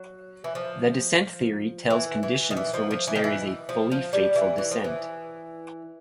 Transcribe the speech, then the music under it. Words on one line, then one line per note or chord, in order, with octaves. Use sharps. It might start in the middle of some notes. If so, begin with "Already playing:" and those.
The descent theory tells conditions for which there is a fully faithful descent.
Already playing: F#3
E3
F3
E3
E3
D#3
E3
F3
F3
E3
D#3
E3
F3
F3
G3
E3
E3
F3
E3